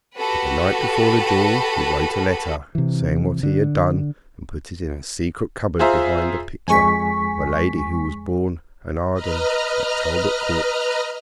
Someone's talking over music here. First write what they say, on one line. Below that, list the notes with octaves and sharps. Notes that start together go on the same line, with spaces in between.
But the night before the duel he wrote a letter saying what he had done and put it in a secret cupboard behind a picture of a lady who was born an Arden, at Talbot Court.
F#4 G4 A4 B4
C3 E3
D3
F4 G#4 C5 E5 A#5
F2 G#3 G#5 C#6 B6
B4 D#5 A#5 F6